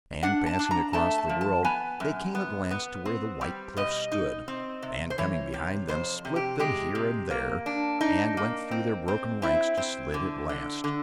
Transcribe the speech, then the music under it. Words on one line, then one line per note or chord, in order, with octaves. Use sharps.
And passing across the world they came at last to where the white cliffs stood, and, coming behind them, split them here and there and went through their broken ranks to Slid at last.
D4 F#5
A5
D4
A#5
A3 A5
A5
F3
A5
B3 G#5
F#2
B3
B3
C4
G3
B2 D#5
D#4
C4
C3
C5
E3 C#5
C3
F2 C5
C3
G4
G#3 G4
C3
A#3
D4
D4 D#4
A#3
C4
C4
C4 E4
C4
D3
D3
D3